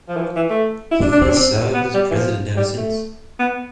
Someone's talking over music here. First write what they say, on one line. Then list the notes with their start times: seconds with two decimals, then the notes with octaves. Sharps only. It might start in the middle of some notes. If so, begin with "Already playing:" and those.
He has served as president ever since.
0.09 F3
0.16 E3
0.22 F3
0.36 E3
0.50 A3
0.91 E4
1.02 D4
1.12 D4
1.22 C4
1.29 D4
1.37 C4
1.74 B3
1.94 G3
2.11 E3
2.15 F3
2.57 G3
2.77 A3
3.39 B3